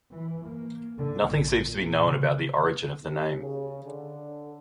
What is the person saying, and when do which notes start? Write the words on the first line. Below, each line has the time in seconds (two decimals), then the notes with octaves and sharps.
Nothing seems to be known about the origin of the name.
0.11 E3
0.46 A#3
0.98 D3
1.28 A#1
1.64 A#2
2.04 C#3
3.02 D#2
3.39 C#3
3.83 D3